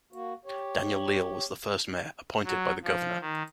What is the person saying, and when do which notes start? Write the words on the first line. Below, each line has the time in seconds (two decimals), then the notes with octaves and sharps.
Daniel Leal was the first mayor, appointed by the governor.
0.12 A#3 F#4
0.45 G4 C#5
2.44 F#3
2.83 F3
3.21 D#3